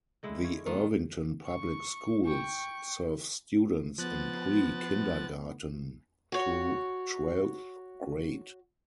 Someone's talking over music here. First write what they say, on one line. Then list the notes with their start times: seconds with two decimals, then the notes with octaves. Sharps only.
The Irvington Public Schools serve students in pre-kindergarten through twelfth grade.
0.23 D3 G#3 E4
0.44 F5 C#6 G#6
0.66 D#3 A3 C4 D4 F4
1.46 C#6
2.25 G5 C#6
3.98 F3 B3 F#6 A6
6.32 F#4 C#5